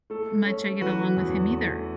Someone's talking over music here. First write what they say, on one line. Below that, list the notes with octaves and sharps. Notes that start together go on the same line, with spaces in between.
much I get along with him either.
A3 A4
C#4
E3 F#4 B4
E2
A3